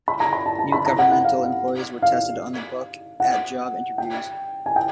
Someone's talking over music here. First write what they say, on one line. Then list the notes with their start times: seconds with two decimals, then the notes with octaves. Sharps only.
New governmental employees were tested on the book at job interviews.
0.08 B5
0.20 A#5
0.33 B5
0.46 A5
0.59 A5
0.72 B5
0.86 A#5
0.99 F#5
1.12 F#5
1.25 F5
2.02 F5
3.20 F#5
3.98 G5
4.66 G#5
4.76 G5